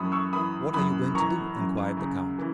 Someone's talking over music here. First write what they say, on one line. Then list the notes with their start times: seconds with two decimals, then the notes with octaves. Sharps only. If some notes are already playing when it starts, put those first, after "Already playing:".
"What are you going to do?" inquired the count.
Already playing: F#2 E3 B5 C#6 D#6
0.12 C#6 E6
0.33 E3 B5 D#6
0.74 F#2 B5 D#6
1.15 E3 A#5 C#6
1.56 F#2
1.97 C#3
2.38 E3